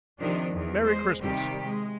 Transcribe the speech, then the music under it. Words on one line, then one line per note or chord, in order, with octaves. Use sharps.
Merry Christmas!'
C3 D#3 F3 D4
E2
G#3 C5
C3 D#3 G3 G4
G#3